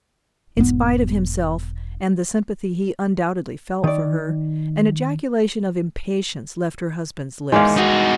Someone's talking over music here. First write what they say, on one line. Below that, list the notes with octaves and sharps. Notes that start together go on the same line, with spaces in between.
In spite of himself and the sympathy he undoubtedly felt for her, an ejaculation of impatience left her husband's lips.
E1 G#2 B3
D#3 D5
E2 G#2 D#3 G#3 D5 F5
D#4 F#4